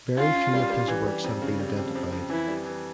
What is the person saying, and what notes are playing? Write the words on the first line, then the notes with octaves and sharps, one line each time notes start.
Very few of his works have been identified.
C#4 F4
C#4
G3
G3
E3
G3
F2
C#3
G3
F2
F2
F2
E3 E4
G3
E3